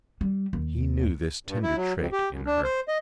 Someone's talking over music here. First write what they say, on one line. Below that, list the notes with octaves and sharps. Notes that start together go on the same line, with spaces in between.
He knew this tender trait in her.
G3
D#2
G2
E4
F#3
F2
G4
F#2
D4
C5
D#5